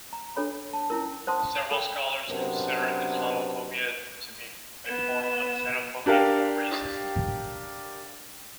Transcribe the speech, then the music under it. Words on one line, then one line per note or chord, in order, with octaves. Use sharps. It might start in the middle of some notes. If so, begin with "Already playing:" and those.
Several scholars consider Islamophobia to be a form of xenophobia or racism.
A#5
D4 A4 C#5 B5
A5
C#4 E4 A#4
C5 F#5 A5 C6 D#6
A4 A#4 G5 B5
F#2 C3 B3 D4 A#4 C5
B3 E7
D4 G4 A#4 F5